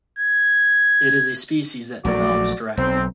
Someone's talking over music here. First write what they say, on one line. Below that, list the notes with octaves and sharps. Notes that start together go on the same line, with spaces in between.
It is a species that develops directly.
G#6
A#1 F#3 A3 F#4 D5 D6
B1 C4